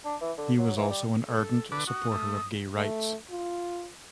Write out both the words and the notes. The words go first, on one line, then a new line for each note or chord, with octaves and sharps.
He was also an ardent supporter of gay rights.
D4
E3
D3
F#3
E3
G3
A4
D3 B4 D6
F#4 D#6
A3
A3
F4